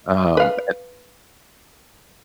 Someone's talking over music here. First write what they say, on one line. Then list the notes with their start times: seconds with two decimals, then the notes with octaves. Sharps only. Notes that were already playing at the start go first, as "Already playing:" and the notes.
Um, and
0.37 B4 F5